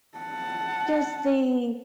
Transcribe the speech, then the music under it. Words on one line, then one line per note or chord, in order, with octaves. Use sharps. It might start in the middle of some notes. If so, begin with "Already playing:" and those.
Does the,
F#5 A5